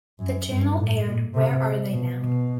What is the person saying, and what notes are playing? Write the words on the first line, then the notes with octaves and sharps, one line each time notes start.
The channel aired Where Are They Now?
F#2
G2
A2
A#2
C3
B2
B2